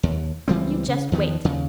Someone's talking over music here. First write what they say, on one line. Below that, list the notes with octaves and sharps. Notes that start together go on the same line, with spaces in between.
"You just wait!"
D#2
C#2 E3 G3 C4
C#3
E2 D#3 F3 B3
D#2 C#3